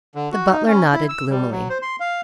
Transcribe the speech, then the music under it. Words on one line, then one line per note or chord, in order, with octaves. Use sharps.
The butler nodded gloomily.
D3
F#4
D#4
C#4
E4
E6
G3
F#3
C5
C6
F5